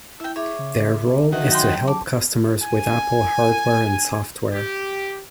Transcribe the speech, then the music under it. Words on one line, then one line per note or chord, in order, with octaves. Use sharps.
Their role is to help customers with Apple hardware and software.
E4 E5 G5
E4 G#4 C#5 E5 D6
C#3
D#3 F#4 E5
F#3 D#4 G5 C6
A5 D6
G#5
G4